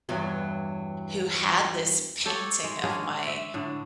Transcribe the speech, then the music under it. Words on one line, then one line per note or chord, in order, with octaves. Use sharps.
who had this painting of my
E2 G2 F#3
G4 A4 C#5
G#3
G#3 C#4 D4 G#4
E5
A2 D3